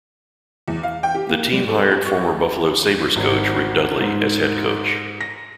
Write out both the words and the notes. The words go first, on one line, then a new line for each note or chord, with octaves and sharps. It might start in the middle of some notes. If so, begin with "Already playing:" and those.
The team hired former Buffalo Sabres coach Rick Dudley as head coach.
E2
F5
G5
G4
A#3
G3
A4
G4
C#6
G#1
G#2
A#6